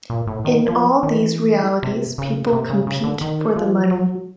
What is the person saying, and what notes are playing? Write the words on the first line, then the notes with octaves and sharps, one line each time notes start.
In all these realities people compete for the money.
A#2
A2
D#3
F3
D#3
E3
C3
C#3
C3
C#3
C#3
D3
D#3
F3
F#3